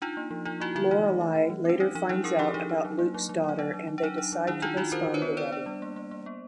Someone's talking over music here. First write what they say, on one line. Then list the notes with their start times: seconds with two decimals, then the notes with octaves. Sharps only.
Lorelai later finds out about Luke's daughter and they decide to postpone the wedding.
0.02 D4 D#4 F4
0.17 A#3
0.31 F3
0.45 F3 D#4 F4
0.60 A#3 E4 F#4
0.75 D3 E4 F#4
0.91 E3 D#4
1.06 A3
1.21 A3
1.35 E3
1.50 E3
1.65 C4 D4
1.80 C#4 D#4
1.95 F3 D#4
2.09 F3 D4 E4
2.24 C#4 G#4 A#4
2.39 F3 G4 A4
2.54 F3 D#4
2.69 D4
2.85 F#3
2.99 A#3
3.14 F#3
3.29 F#3
3.44 F#3 D#4
3.59 F#3 D4
3.73 F#3
3.88 F#3
3.98 D4
4.03 F#3 D#4
4.18 D4
4.32 F#3
4.47 D#3 D4 E4
4.62 D#3 D#4 F4
4.77 D#3 E4 F#4
4.92 D#3 A#4 C5
5.07 D#3
5.14 B4 C#5
5.22 B3
5.37 D4 C5 D5
5.52 D4
5.66 G3
5.82 A#3
5.96 A#3
6.11 A#3
6.26 B3